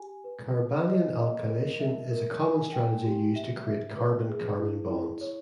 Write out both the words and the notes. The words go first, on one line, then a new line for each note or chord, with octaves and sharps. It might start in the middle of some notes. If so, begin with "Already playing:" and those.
Carbanion alkylation is a common strategy used to create carbon-carbon bonds.
Already playing: G4 G#5
B4
B4
D#5
D#5
A#4
E5
A#4
G#5
G5
G4
E5
E5
B4
G#4
E4
E4
C#5